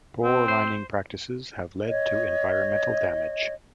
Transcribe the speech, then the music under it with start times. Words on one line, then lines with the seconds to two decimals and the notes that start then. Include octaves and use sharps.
Poor mining practices have led to environmental damage.
0.24 C4
0.48 C5
1.87 C#5 D#5